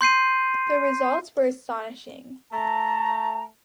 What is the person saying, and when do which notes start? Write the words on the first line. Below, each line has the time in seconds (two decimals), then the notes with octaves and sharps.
The results were astonishing.
0.01 C6 G6 C7 D#7
2.52 A3 A5 A#5